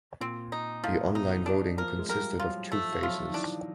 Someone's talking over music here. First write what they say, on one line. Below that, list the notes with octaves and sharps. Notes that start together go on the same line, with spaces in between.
The online voting consisted of two phases.
A#2 C4
D#4
A2 F3
B2 D#4
D4
F3 A#4
G#3
G3 A#4
F#3 F4
F3 A3
F3
F#3 F4
F3
D#3
E3 D4